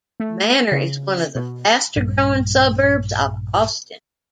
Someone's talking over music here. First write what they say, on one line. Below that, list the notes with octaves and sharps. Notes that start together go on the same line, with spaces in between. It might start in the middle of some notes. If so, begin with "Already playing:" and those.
Manor is one of the faster-growing suburbs of Austin.
A3
C#3
B2
A#1 G2 G3